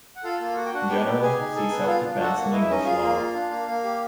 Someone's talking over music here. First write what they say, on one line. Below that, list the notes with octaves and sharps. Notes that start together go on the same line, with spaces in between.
Generally, see self-defence in English law.
F#5
F4 A4 F5
A#3
F#4 F#5
G5
D4 F#4 F#5
B3 G4 G5
B3
G4 G#4 G#5
D#4
G#4 A4 G#5
B3
F#5
F4 F5
D4
F#4 A4 F#5
A#3
E4 D#5
E5
C#4 D#4 D#5
F4 G#4 F5
A#3
F4
D4
A#3
A#3
G4